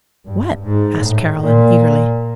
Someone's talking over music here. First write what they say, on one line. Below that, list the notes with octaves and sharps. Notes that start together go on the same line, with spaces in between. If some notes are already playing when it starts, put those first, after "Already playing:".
"What?" asked Caroline, eagerly.
G2
G#2
A2
A#2